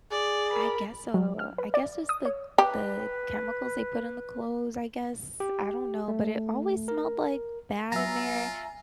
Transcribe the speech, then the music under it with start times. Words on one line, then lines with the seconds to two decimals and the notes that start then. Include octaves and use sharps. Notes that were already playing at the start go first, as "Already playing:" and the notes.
I guess so. I guess it's the c the chemicals they put in the clothes, I guess. I don't know, but it always smelled, like, bad in there.
0.12 G#4 D5
0.50 A#4 B5
1.14 F#3
1.39 F6
1.58 B4
1.74 D5
2.09 D#6
2.25 C#5
2.58 G4 B4
5.40 G4
6.08 A3
6.88 A#4
7.92 F#3 B3 F4 E5 G#5 A#5